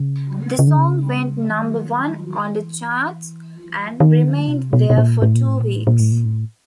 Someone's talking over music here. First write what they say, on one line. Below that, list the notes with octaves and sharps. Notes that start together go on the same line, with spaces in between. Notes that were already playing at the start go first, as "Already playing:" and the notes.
The song went number one on the charts and remained there for two weeks.
Already playing: C#3
C#3
D3
C#3
E3
D#3
E3
D#3
D3
C3
B2
B2
A#2
A2
A#2
A2
A#2
A2
A#2
A2
A#2
A2